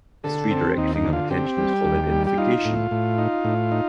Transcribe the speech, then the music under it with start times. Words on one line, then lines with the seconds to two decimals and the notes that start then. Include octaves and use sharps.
This redirecting of attention is called identification.
0.24 D3 A4
0.51 C4
0.77 D#2 D#4
0.95 D#4
1.04 D3
1.13 F4
1.30 C4 G4
1.58 G3
1.84 D#2
2.11 G3
2.27 G4
2.38 D#4 F4
2.65 A2
2.91 A2
3.18 D#4
3.44 A2
3.72 D#4